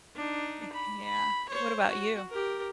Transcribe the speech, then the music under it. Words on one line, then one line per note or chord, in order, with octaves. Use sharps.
y-yeah, what about you?
D4 D#4
B5
B5
C5 C#5
F#4
G4 A#4